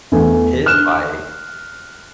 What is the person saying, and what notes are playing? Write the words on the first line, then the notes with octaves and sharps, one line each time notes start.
his bike,
E2 A3 G#5
F6 F#6 E7